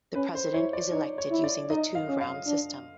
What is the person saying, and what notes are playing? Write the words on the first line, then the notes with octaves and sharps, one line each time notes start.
The President is elected using the two-round system.
C#4 B4
C5
E4 C#5
D5
D#4 C#5
C#5
E4
D5
D#4 D#5
F5
C#4
F5
D4